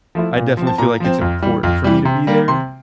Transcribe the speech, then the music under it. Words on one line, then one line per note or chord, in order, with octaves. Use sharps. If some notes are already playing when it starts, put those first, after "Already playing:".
I definitely feel like it's important for me to be there.
F3 A3 E4
A#2
F3 C4
A5
A#2 A#5
F3 C4
F2
E3 G3
F2
E3 G3
C3
G3 A#3
C3 C6